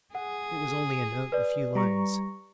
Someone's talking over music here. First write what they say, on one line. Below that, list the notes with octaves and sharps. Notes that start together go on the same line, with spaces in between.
It was only a note, a few lines.
G#4 F#5
B4 D5
G3 A#5 C#6